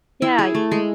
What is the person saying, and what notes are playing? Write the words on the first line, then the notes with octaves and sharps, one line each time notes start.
Yeah, y
E4
G#4
A3
G#3